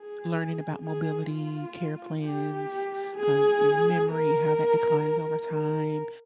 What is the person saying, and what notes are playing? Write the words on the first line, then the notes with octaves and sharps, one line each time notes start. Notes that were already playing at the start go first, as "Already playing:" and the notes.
learning about mobility, care plans, uh, your memory, how that declines over time,
Already playing: G#4
G#4
F4
G4
G#4
A#4
A#4